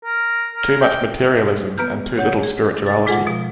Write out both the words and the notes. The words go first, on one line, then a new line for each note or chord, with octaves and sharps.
Too much materialism and too little spirituality.
A#4
A#4
G5
B3 B4 A#5 F6 G6
C#5 F#5 G6
G#4
C3 A6
A#2 G#3 F4 G#4 A4 F#5
B2 F3